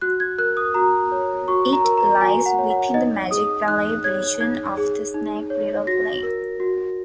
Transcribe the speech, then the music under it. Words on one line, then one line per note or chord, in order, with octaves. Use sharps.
It lies within the Magic Valley region of the Snake River Plain.
F#4 F#6
G#6
A#4 F#6
D#6
F#4 A#5
C#5
F#4 C#6
A#5
A#4
A#5
F#4 G#5
F#5
C#5
F#5
D#4 D#5
G#4 D#6
D#4 F#6
C#5 G#6
D#4 G#6
G#4
D#4
C#5
F#4 A#6
A#4
F#4